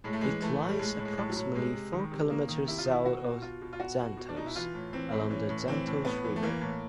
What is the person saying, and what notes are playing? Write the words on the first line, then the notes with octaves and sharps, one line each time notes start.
It lies approximately four kilometres south of Xanthos along the Xanthos River.
A2 G#3
A3
E3 G#3
E3 A3
A2
G3
A2 G#3
A2
G#3
A2
F#3
A2
C3 G#3
C3
D#3
C3
D#3 A#3
D#3
C3 E4
F4
D#3
E4
B2 F#4
B2
B2 F4
B2
F4
B2 F#4
B2
B2
D4
B2 D#4
E4
E3 F4
A2
E3 C4
A2
E3 C#4
A2
E3 C4
A2
A2 B3
E3
A3
E3 A#3
A2